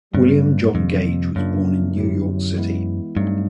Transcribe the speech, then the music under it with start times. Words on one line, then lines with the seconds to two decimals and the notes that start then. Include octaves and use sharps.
William John Gage was born in New York City.
0.14 G2 F#3 A3 C4
0.75 F2 C3 D#3 G3 A#3
1.35 F#2 C#3 F#3 A#3 D4 F4
1.96 D3 F#3 B3 E4 G4
2.56 E3 G#3 B3 E4
3.17 G2 F#3 A3 C4 D#4